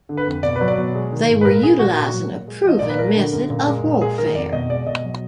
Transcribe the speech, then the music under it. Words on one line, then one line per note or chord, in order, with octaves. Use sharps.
They were utilizing a proven method of warfare.
D3
B4
F2
B2 D5
B4
F#3
D5
B2
G#3
D#3
G#2
B4
A#2 A#4
G#3 G#4
A#2 F#4
A#2 F#4
F#3
A#2
G#3
F3 D#5
A#2 D5
B4
G#3 A#4
D3
F#2
A#2
G#3
A#2
G#3 G#4
D#3 A#4
F2 D5
B2 D#5
G#3 D5
B2 D#5
F#3